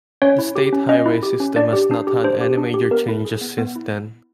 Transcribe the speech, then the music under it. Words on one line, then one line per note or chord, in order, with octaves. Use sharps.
The state highway system has not had any major changes since then.
C#4 C#5
E4
G4
C#4
C#4 D#5
E4
G4
C#4
D4 D5
G4
D4
G4
D4 C5
G4
D4
G4
B3 A#4
E4
G#4
B3
B3
E4